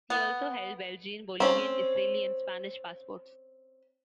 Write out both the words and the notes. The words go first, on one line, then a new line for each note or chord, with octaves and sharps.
He also held Belgian, Bolivian, Israeli, and Spanish passports.
B3
C4 C#4